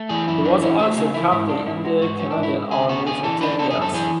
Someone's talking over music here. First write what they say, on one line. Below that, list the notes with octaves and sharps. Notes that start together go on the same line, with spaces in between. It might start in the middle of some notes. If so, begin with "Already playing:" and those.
He was also a Captain in the Canadian Army for ten years.
Already playing: A3
E3 G#4
F#2 E4
E3 D4
C#4 E4
A3 F#4
C#3 G#4
E3 E4
G#2 E4
G#3 D4
G#2 E4
G#3 F#4
G#2 F#4
C#4 F#4
D4
G#2
E4
G#3
D3 G#4
B3 F#4
D3 G#4
E3 A4
D4 B4
B3 A4
G#4
F#2 A4
E3 G#4